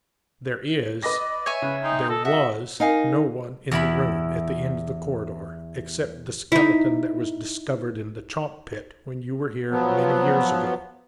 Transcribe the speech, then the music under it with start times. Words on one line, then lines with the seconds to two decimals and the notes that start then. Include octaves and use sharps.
There is--there was--no one in the room at the end of the corridor, except the skeleton that was discovered in the chalk-pit when you were here many years ago.
1.03 B4 D5 D#5 A#6
1.46 C#5 E5 G#5
1.62 C#3 B4
1.84 D#4 G#4 G5 C6
2.09 A4 D#5
2.25 F#4 E5
2.80 D#4 A#4 D#5 F5 G#5
3.71 E2 E4 B5
6.52 D#4 E4
9.71 F3 F#3 B3